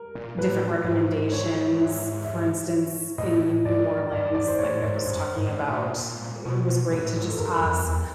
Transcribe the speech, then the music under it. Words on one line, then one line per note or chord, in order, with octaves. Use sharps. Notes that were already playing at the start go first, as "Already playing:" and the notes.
different recommendations. For instance, in New Orleans, like I was talking about, it was great to just ask
Already playing: A#4
A#2
A2 B4
G#2 C5
C#5
E5
E5
A2 D#5
G#2 D5
G2 D5
G#2 D5
C5
A2 C#5
G#2 C5
G2
F#2
G2
G#2
A#2
A#2
B2
A2 B4
G#2
A4
G2 A#4
F2
E2